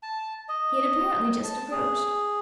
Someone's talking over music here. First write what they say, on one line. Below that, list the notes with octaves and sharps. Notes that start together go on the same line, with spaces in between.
He had apparently just approached.
A5
D#5
A5
G#4